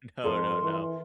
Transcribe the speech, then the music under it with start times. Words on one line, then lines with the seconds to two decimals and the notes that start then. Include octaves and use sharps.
no, no, no.
0.24 F2 A4 A#4 C6
0.63 E3